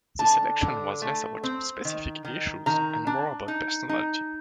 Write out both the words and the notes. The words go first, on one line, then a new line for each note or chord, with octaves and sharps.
The election was less about specific issues and more about personality.
D3 A5
D3
A3
C4
D#3
D#3
D#3 A#5
D4
D#4
D#4